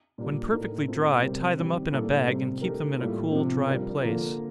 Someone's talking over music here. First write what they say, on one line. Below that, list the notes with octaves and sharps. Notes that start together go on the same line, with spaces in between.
When perfectly dry, tie them up in a bag, and keep them in a cool dry place.
A#2 G3 A#3 D4 G4
A2 A3 D#4 A#4
A3 C4 F4
C3 G3 C4 G4 A#4
D#3 G3 C4 G4
A2 G3 A#3 D4 A4
C3 G3 C4
A3 D#4 G4 A#4
A2 G3 A#3 F4 A4
C3 F3 C4
G3 D4 F4 A#4
D3 F3 A#3 F4 A#4